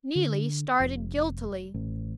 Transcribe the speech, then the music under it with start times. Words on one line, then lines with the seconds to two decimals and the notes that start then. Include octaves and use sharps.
Neelie started guiltily.
0.15 D3
0.80 F1
1.74 A1